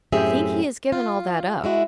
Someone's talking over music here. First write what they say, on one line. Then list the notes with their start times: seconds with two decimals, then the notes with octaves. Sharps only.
"I think he has given all that up."
0.12 F#2 A2 C4 G4 G#4 E5
0.92 F4
1.64 G#3 E4 F#4